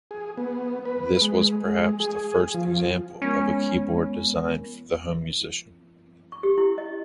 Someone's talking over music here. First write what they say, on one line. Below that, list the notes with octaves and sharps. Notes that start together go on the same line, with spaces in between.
This was perhaps the first example of a keyboard designed for the home musician.
G#4
B3
B4
G#3
G#3
G#4
F3
G#3 B3 C#4 A#4
C#6
G4
E4
D#5